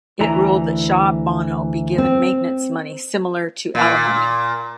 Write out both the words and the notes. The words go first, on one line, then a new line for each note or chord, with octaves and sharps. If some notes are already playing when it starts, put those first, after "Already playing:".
It ruled that Shah Bano be given maintenance money, similar to alimony.
D2 E3 A#5
C4
A#2